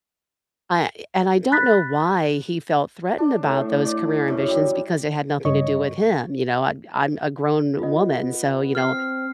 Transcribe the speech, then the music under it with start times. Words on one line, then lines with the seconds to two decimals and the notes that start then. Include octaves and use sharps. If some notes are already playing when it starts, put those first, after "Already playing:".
I and I don't know why he felt threatened about those career ambitions, because they had nothing to do with him, you know, I'm I'm a grown woman, so, you know,
1.52 B5 F#6 A6 B6
3.18 D4
3.43 A2
3.84 D5
4.28 F#2
4.48 G3
5.45 G2 C#3 C#5 D#5 C#6
7.79 B3 F4 D#5
8.75 C4 F6 C7